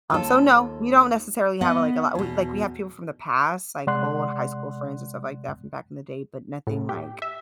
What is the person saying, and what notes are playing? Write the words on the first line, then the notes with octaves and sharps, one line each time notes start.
um, so no, we don't necessarily have, like, a lot, like, we have people from the past, like, old high school friends and stuff like that from back in the day, but nothing like
D#2 F4 A4
B3 D#5 F#5
E2 B2
C3 G#3 D5 F#5 C6 F#6
A2
G4
E5